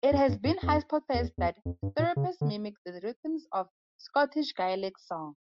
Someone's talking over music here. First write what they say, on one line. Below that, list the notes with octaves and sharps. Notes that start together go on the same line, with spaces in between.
It has been hypothesized that strathspeys mimic the rhythms of Scottish Gaelic song.
F2
G2
G2
F2
E2
E2
F2
G2
A#2
C#3
D3